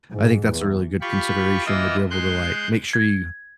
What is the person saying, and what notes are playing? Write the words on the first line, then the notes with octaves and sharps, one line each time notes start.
I think that's a really good consideration to be able to, like, make sure you
G#2
E2
F4 G4 B5 C#6
E3 A#3 F4 D#5 E6
G#3 C6 F#6 G6
G#6